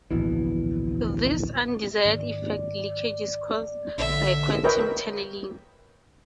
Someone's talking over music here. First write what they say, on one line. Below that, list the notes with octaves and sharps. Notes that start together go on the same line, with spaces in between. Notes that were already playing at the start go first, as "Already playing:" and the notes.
This undesired effect, "leakage", is caused by quantum tunneling.
D1 A#1 B2 E3
G#2 D#3 A#3 D5
A#1 D3 E5
A#4 B4 C#5 D#5 E5 G5